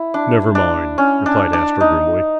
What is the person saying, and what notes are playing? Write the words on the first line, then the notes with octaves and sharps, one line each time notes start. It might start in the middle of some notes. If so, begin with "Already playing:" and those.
"Never mind," replied Astro grimly.
Already playing: E4
D4
D4
C#4
D4
D4
D#4